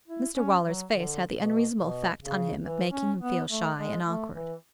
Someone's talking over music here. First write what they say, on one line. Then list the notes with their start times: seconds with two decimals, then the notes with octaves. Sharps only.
Mr Waller's face had the unreasonable effect on him of making him feel shy and awkward.
0.08 E4
0.36 C#4
0.65 F#3
0.93 D3
1.35 B2
1.78 B2
2.22 C#3
2.64 E3
2.92 C#4
3.21 B3
3.50 A3
3.78 G#3
4.06 A3
4.34 E3